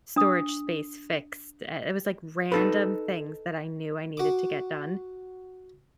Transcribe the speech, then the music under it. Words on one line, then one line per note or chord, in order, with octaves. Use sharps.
storage space fixed," uh, it was, like, random things that I knew I needed to get done,
D4 D#6
D#4 A4 B4
F#4 D6